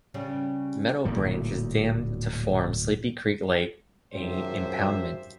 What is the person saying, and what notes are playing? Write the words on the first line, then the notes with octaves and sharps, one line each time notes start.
Meadow Branch is dammed to form Sleepy Creek Lake, a impoundment.
C#3 G3 C#4
D1 D2 A#2 G3
G#1 F#2 C3 F3 C5 E5